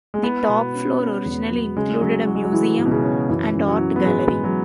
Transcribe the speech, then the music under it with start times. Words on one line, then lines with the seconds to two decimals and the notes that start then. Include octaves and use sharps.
The top floor originally included a museum and art gallery.
0.14 G#3
0.24 B3 E4
0.49 B2
0.74 C#4
1.00 C#4
1.25 E2
1.51 F#3
1.76 C#3 G#3
2.01 C#3 F#3
2.27 F#3 E4
2.35 G#3
2.44 F#3
2.53 E3 E4
2.78 G#2
2.86 B2
2.91 C#3
3.04 C#4
3.29 F#2 E3
3.55 F#2
3.68 F#3
3.80 E4
3.96 B3
4.05 G#2 G#3
4.31 G#2
4.44 F#3